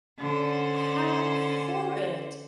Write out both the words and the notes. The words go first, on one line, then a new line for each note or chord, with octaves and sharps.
How horrid.
D3 C#4 C5